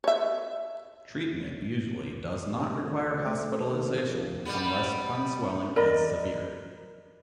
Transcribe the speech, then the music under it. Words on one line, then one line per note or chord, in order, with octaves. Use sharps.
Treatment usually does not require hospitalization unless tongue swelling is severe.
C#5 E5
C3
D2
A3
D#2
A#1
G3 B3
A#4 D5 D#5 B5